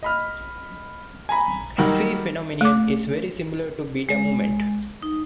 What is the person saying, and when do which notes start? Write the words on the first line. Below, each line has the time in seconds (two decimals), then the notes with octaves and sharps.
Phi phenomenon is very similar to beta movement.
0.03 D#5 B5 F6
1.29 G#5 A#5 B5
1.78 D#3 F#3 G3 D#4 F#4 A#4
2.61 A3 D6
4.09 G#3
5.03 D#4